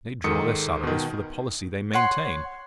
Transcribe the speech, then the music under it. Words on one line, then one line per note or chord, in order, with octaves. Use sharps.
They draw their salaries for the policy they maintain.
G#2 D#3 A4 D#6 C#7
B2 D#3
C#5 F#5 C6